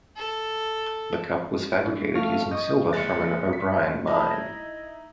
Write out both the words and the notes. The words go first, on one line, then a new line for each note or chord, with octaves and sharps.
The Cup was fabricated using silver from an O'Brien mine.
A4
G3 D4 E4
A3 F5 C#6
D#5 C#6 G6
F#1 G#3 F#6 A6 C#7
B6
D#4 E4 A5 B5 D#6
G#6 A#6